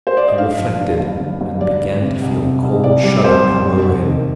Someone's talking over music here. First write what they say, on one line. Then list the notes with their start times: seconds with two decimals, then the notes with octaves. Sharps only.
He reflected, and began to feel a cold shudder come over him.
0.07 C5
0.17 D5
0.28 D#5
0.38 G2 F5
0.58 F3
0.79 G2
1.00 G1
1.20 G1
1.41 G1
1.61 G1 D5
1.81 G2
2.01 C3
2.22 C2
2.43 C3
2.63 C2
2.84 C2 D5
3.03 G3
3.24 C2 C5
3.45 C2
3.65 C2
3.85 C2
4.06 D#3